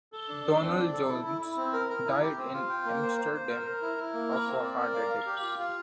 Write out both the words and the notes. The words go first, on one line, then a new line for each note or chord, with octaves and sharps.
Donald Jones died in Amsterdam of a heart attack.
A4
D4
D4
C4
D5
A4
E4
E4
E4
C4
A#4
A#4
E4
G4
C4
F4
G5
A#3
C5
C5
C5
A#4
A#4
E4
E4
A#3
A#4
C4
D5
A#4
F5
F5
G4
F4
F4